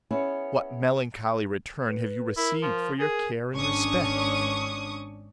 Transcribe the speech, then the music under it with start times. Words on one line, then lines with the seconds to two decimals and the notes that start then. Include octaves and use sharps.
What melancholy return have you received for your care and respect?
0.11 B3 C#4 E4 G#4 C#5
1.87 B4
2.37 E4 A#4
2.62 F3
2.99 G#4 A#4
3.55 G#1 C#4 D4 C#6 D#6